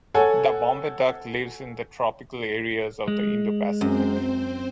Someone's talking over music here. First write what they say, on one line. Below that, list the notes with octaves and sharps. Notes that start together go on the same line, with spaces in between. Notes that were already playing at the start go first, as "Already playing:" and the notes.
The Bombay duck lives in the tropical areas of the Indo-Pacific.
A4 C#5 F#5 G#5
G#3
F#2 C4 C5